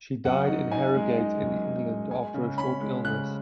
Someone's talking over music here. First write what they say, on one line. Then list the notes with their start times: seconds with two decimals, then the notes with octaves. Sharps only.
She died in Harrogate in England after a short illness.
0.25 F#2 F#5
0.48 D#4
0.72 D#4 G#5
0.95 G#3
1.18 D#4
1.41 F#2
1.65 G#3
1.88 G#3
2.11 G#3 G#5
2.34 C#3
2.57 C#4 B5
2.81 G#3
3.05 C#3 F#6